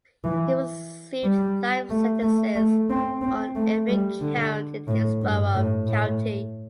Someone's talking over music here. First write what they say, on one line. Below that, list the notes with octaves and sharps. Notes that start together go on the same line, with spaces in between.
He received life sentences on every count in Hillsborough County.
E3
G3
A3
A3
A3
C4
C4
A3
G3
D3
A2
G2
A2
A2